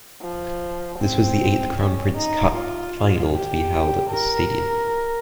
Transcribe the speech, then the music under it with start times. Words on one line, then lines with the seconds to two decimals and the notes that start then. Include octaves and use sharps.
This was the eighth Crown Prince Cup final to be held at the stadium.
0.22 F3
0.99 C4
1.77 C#4
2.16 D#4
2.55 F4
3.32 G4
4.09 A#4